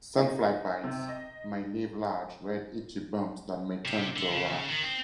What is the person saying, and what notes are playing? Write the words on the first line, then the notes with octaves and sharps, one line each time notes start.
Sandfly bites may leave large, red itchy bumps that may turn into a rash.
D#4
C3
D#5
C3
D3
C#3
D#3
C4